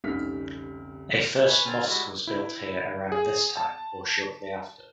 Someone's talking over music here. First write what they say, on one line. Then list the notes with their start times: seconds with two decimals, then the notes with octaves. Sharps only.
A first mosque was built here around this time or shortly after.
0.04 F1 C2 C#4 D#4 F6 B6
1.44 B4 C#5 G#5
1.66 D3 C4 G#5 A5 F6 G6
1.86 G3 G#3 E4 F#4
2.27 E4
3.12 G#4
3.57 A5